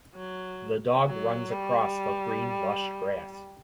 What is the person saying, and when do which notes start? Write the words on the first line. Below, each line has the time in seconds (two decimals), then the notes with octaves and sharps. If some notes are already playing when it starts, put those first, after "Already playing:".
The dog runs across the green lush grass.
0.15 F#3
1.07 F#3
1.52 G3